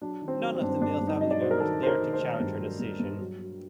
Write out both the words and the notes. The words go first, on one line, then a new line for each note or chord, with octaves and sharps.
None of the male family members dared to challenge her decision.
F#3 D4
D#3
C4
F#3
C4
G2 D4
C4
G2 D4
G2
D#4
F#3 D#5
D5
F#3 C5
A#4
D#3 A4
D#3 C5
A#4
D#3
C5
D#3
G2
F#3
G2
G2
F#3
F#3